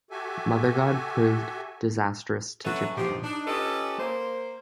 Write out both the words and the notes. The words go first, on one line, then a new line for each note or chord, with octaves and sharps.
Mothergod proved disastrous to Japan.
F#4 G4 A4 E5 G#5
F#3 C#4 F#4 A4 B4 E5
G2 F3 C4 D#4 G4
D4 D#4
C#4 F4 G4 A4 B4 D#5
A#3 C5